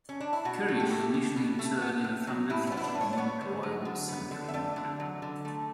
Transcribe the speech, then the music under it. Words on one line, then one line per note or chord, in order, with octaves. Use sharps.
Currie was initially interred in a family plot at Mount Royal Cemetery in Montreal.
C#4
D4
E4
B2 F#4
A3
G4
A3
B2
B2
A3
B3
A2
F#3
A2 E4
C#4
B3
E4
D4
A2
C#5
D5
B3 C#5
D3
F#3
D3
B3
D3
E5
A3 D5
D3
F#3
D3
A3